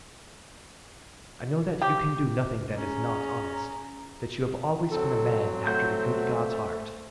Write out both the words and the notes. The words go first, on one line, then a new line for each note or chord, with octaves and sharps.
I know that you can do nothing that is not honest, that you have always been a man after the good God's heart.
G4
C#4 G#4 A#5
F#3 C4 A4
A3 C5 F#5 G6